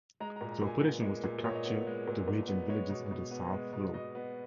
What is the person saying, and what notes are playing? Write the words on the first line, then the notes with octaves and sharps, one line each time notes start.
The operation was to capture the ridge and villages on the south slope.
G#3 A#5
A#5
A#2
A#5
A#2
G#5
B3
G#3
A#2
A#2 C#5
D#5
B3 C#5
G#3
A#2
A#2
B3
G#3 C#5
B2
B2
B3
G#3
B2
B2 D#5
B3